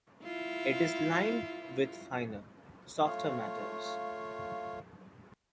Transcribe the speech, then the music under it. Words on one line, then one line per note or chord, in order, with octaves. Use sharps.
It is lined with finer, softer matter.
E4 F4
A3 F4 C#5 F5